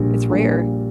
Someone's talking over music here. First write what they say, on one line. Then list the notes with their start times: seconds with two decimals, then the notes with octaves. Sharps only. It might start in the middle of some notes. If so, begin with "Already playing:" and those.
It's rare.
Already playing: A#1 A#2 G3
0.29 A#1 A#2 G3